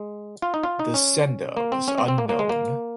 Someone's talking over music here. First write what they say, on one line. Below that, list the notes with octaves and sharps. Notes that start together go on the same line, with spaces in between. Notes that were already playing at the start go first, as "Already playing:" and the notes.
The sender was unknown.
Already playing: G#3
F4
D#4
F4
D#4
C#4
A#3
C4
C#4
C4
C4
A#3
A#3
G#3
A#3